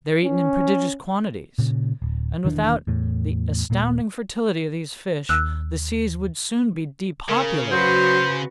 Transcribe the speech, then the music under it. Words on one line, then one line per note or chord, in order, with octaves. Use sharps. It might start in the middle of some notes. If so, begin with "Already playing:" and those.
They're eaten in prodigious quantities, and without the astonishing fertility of these fish, the seas would soon be depopulated of them.
C#4
A#2 C#3
D1
E1 D#3 E3 D4
E2 A2
D#1 A#2 A#3
D#2 E6 F#6
C#3 A#4
F#3 F#4 B4 C5